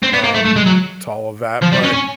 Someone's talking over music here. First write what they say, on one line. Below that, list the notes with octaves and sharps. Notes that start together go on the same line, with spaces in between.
um, to all of that, but
C4
B3
A#3
A3
A3
G#3
F#3
F3
G3
C#4
C#4